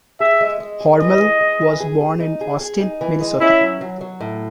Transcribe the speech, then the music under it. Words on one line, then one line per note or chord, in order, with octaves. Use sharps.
Hormel was born in Austin, Minnesota.
G#4 E5
G#3
G#3
G#4
E3 D#5
G#3
G#3
E3
G#4
G#4
D#4
G#4
G#4
D#4
E3
G#3
C#4 E4
F#3
F#3
F#3
A2